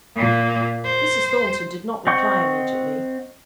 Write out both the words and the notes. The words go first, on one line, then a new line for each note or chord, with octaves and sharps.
Mrs. Thornton did not reply immediately.
A#2 A#3
C5
C4 D#5 F#5 C#6 G6